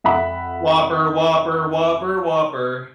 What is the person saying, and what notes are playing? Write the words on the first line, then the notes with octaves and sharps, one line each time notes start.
Whopper, Whopper, Whopper, Whopper.
F2 E5 F#5 B5